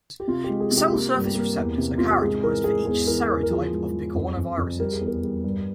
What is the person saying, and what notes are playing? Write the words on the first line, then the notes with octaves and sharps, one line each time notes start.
Cell surface receptors are characterized for each serotype of picornaviruses.
G4
C3 F4
G4
G#3
G#4
C3
G4
F4
A#3 G4
G2
G4
A#3
E2
C3
C3 F4
G4
G#2 G#4
E3 A#4
G#2 G#4
E2 G#4
E3 A#4
E2 A#4
A#4
F3 G#4
G#2
F3
F2
F2
F2
G3 A#4
G#4
E2
A#4
G3
G2